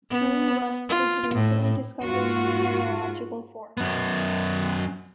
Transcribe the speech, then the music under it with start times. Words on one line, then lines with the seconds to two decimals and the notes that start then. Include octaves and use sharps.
Green rust is a recently discovered mineralogical form.
0.11 B3
0.89 F4
1.34 A2
2.03 G#2 F4 F#4
3.78 F#2 B3